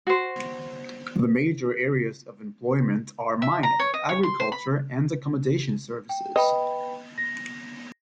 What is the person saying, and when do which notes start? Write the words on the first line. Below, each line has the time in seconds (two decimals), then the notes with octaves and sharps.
The major areas of employment are mining, agriculture and accommodation services.
0.07 F#4 C5
3.42 E5
3.63 A#5
3.79 C#5
3.94 D#5
4.09 C#5
4.23 C6
4.40 C5
4.52 B5
6.09 G5
6.36 B4 D#5 G5 B5
7.18 A#6